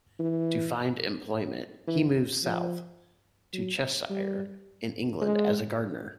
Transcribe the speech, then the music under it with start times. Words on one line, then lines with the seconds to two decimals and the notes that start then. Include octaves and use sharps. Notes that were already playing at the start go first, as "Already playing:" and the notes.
To find employment, he moved south to Cheshire in England as a gardener.
0.19 E3
1.87 E3
2.43 F3
3.53 F#3
4.10 G3
5.21 G#3